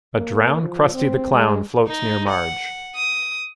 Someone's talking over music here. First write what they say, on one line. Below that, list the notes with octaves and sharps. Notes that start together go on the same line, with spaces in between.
A drowned Krusty the Clown floats near Marge.
A#3
F3
C4
G#3
D#4
F#5
D#6